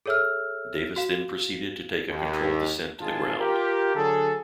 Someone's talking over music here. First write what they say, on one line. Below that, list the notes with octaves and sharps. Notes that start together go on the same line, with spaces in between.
Davis then proceeded to take a controlled descent to the ground.
G#4 A4 C#5 E5 E6 F6
F#4 F5 E7
D#2
G#1 D#2 F4 G#4 A5
F4 G4 A#4
D3 F#3 G#4 A4